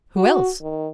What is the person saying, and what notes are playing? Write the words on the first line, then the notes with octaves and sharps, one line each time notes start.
"Who else?"
F#4
D#3